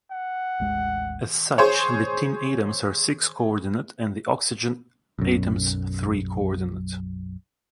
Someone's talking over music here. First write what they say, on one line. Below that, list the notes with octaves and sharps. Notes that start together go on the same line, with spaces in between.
As such the tin atoms are six coordinate and the oxygen atoms three coordinate.
F#5
A1 D#2 G#3
G#4 C5 C#5
B1 F#2